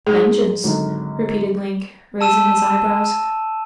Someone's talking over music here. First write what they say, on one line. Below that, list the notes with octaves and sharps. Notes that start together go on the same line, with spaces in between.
"Vengeance!" repeated Link, raising his eyebrows.
G#2 G#4
G#1 D3 F#3
A5 E6 D#7 E7